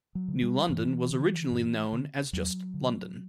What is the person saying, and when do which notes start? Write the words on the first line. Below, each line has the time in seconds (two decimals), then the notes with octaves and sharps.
New London was originally known as just "London".
0.15 F#3
0.28 D3
0.42 G3
0.69 G2 E3
1.10 D3
1.51 G2
1.92 D3
2.33 E2 F#3
2.74 D3